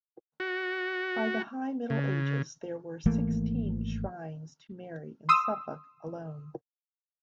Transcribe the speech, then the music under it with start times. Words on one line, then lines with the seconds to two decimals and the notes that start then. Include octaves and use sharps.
By the High Middle Ages there were sixteen shrines to Mary in Suffolk alone.
0.40 F#4
1.90 C#3
3.06 G#1 E3 A3 A#3
5.29 C6 D#6 E6